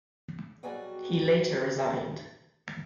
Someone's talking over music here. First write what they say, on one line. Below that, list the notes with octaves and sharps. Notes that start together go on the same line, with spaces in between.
He later resigned.
B2 F#3 G3 F#4 G#4 D5